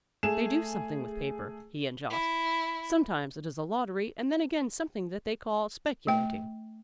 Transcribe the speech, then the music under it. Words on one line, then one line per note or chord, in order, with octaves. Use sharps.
They do something with paper, he and Jost. Sometimes it is a lottery and then again something that they call speculating.
A3 G#4 E7
E4
A3 G5